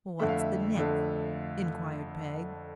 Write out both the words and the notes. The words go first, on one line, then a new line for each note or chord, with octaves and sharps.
'What's the next?' inquired Peg.
F2 D3 A3 E5
F5
E5
F2 D3 A3